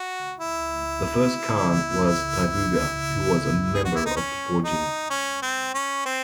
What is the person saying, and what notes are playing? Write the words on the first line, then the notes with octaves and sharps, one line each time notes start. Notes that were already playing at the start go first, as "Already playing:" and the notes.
The first Khan was Taibuga, who was a member of the Borjigin.
Already playing: F#4
E4
G#4
F#4
E4
D#4
C#4
D#4
C#4
C4
C#4
C4